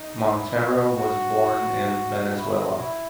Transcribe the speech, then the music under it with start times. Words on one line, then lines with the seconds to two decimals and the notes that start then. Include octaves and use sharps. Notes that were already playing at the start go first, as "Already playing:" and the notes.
Montero was born in Venezuela.
Already playing: D#4
0.34 E4
0.95 F#4
2.18 F#4
2.38 E4
2.59 F#4
2.79 E4